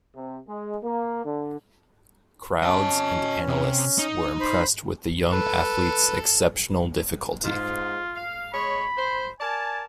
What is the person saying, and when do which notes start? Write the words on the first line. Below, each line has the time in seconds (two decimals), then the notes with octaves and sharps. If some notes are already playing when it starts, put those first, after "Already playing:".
Crowds and analysts were impressed with the young athlete's exceptional difficulty.
0.15 C3
0.48 G#3
0.84 A#3
1.25 D3
2.63 C#4 D#5 A5
3.47 C3
3.99 D#4
4.40 C5 B5
5.31 A4 B4
7.44 G#2 F4
8.16 F5
8.53 G#3 C#5 B5
8.97 C5
9.40 A#4 D5 G#5 A5